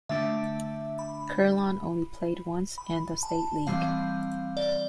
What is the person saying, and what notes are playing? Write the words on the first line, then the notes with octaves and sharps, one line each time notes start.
Kerlon only played once in the state league.
D3 A3 D4 E5
B5
B5
A5
E3 G3 C4 F5
D5